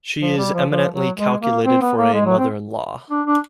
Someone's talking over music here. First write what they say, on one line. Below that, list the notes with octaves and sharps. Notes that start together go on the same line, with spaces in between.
She is eminently calculated for a mother-in-law.
F3
G3
F3
F3
F#3
G#3
A#3
C4
B3
A#3
G#3
F#3
C4
D4
D4